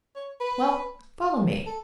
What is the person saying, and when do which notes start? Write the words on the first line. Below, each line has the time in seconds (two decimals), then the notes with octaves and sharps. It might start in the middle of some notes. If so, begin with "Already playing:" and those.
"Well, follow me."
0.16 C#5
0.41 B4
1.67 A4